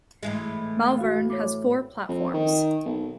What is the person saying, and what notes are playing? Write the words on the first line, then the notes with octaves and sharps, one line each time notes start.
Malvern has four platforms.
A2 E3 G#3
F#4 F5
C#5 D6
F2
D#3
B1